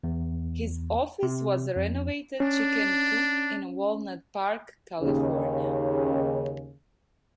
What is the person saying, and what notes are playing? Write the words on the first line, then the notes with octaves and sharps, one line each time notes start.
His office was a renovated chicken coop in Walnut Park, California.
E2
C3
F2
C#4 D4
D#2 C#3